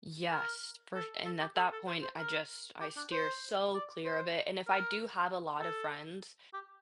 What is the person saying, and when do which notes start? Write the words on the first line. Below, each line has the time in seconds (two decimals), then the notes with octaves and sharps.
Yes, fer and at that point, I just I steer so clear of it, and if I do have a lot of friends,
0.32 A#4
0.95 A4
1.25 A4
1.41 G4
1.56 A4
1.73 A4
1.87 C5
2.03 C5
2.19 A#4
2.81 G4
2.97 D4
3.12 C5
3.74 D5
4.05 C5
4.67 A#4
5.60 A4
6.54 G4